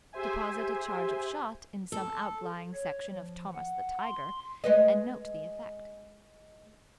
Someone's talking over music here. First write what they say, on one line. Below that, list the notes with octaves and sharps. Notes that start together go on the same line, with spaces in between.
Deposit a charge of shot in some outlying section of Thomas the Tiger, and note the effect.
G4 G#4 C5 E5 G#5
A4
C#5
F3
F#5
C6
G#3 B4 D#5